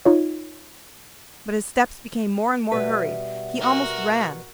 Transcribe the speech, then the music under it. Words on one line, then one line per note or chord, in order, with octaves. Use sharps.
But his steps became more and more hurried, he almost ran.
D#4 F4 C#5
B2 G3 B4 E5 F#5
F#4 A#4